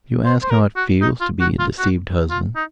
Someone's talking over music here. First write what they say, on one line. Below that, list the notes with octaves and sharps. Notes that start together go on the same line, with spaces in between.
You ask how it feels to be a deceived husband.
C5
C5
A#4
F#4
D#4
F4
F#4
F4
F#4
F4
D#4